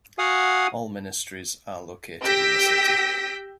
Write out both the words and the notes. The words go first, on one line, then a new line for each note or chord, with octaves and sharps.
All ministries are located in the city.
F#4 F5 F#5 G#5 D#6
G4 E6 G6 A#6 B6 D7